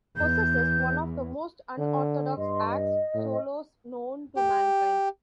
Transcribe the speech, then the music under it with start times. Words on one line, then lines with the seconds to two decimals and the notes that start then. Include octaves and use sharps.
Possesses one of the most unorthodox 'axe' solos known to mankind.
0.16 E2 G6
1.78 D3
2.37 G2 D#5 C6
2.67 D#5
3.15 A2
4.36 G4